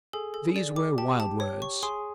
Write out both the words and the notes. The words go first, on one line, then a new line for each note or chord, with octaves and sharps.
These were wild words.
G#4 A4
A4
D5
D6
G4 A5
A5
C#5
C#6
G#4 C6